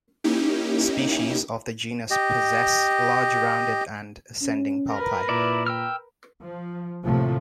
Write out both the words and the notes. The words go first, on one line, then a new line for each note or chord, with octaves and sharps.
Species of the genus possess large rounded and ascending palpi.
A#3 C#4 D#4 E4 G4
G4 D#5
C#4
A#4 B4
A#2 E4 D5
G5 E6 F6
F3
D#2 A2 C3 F3 A3